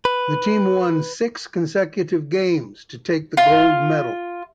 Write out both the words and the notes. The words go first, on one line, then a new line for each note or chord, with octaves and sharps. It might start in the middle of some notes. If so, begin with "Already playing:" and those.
The team won six consecutive games to take the gold medal.
B4
F4